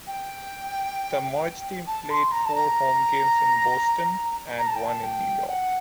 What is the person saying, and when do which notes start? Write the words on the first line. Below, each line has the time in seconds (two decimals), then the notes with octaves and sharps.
The merged team played four home games in Boston and one in New York.
0.07 G5
1.87 A5
2.10 C6
2.32 A#5
2.45 A5
2.55 A#5
4.58 A#5
4.67 A5
4.76 G5
4.85 A5
5.03 G5
5.48 F#5